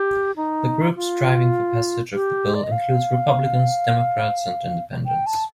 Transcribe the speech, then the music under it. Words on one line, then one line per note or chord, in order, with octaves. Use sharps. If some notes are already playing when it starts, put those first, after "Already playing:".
The group striving for passage of the bill includes Republicans, Democrats, and Independents.
Already playing: G4
D#4
F4
G4
D5
D#5
F5
G5
A5